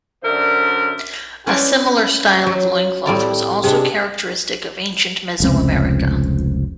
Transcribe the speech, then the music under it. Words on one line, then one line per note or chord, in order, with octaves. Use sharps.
A similar style of loincloth was also characteristic of ancient Meso-America.
F#2 D3 A#4 C5 D5 E5
C#4 E4 B4 C5 D5
F#3
A2 G3 C4 D5 A5 A#5
C3 G#3 C4 D4
F1 C#2 C4